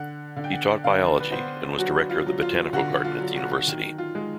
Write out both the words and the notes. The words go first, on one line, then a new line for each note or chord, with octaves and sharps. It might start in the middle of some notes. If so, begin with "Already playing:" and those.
He taught biology and was director of the botanical garden at the university.
Already playing: D3 F#5
D3
G5
F#5
D3 F5
B4
B3 C5
F#3 F#4
F4
F#3
F4
D3 F#4
F4
F#3
F#4
D#3
F4
G#3